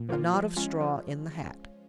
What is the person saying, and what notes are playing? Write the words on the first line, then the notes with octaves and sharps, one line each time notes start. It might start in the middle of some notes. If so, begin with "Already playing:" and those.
"A knot of straw in the hat."
Already playing: A#2
F3 A#3 F4
F3
G#3 C#4 F4
F3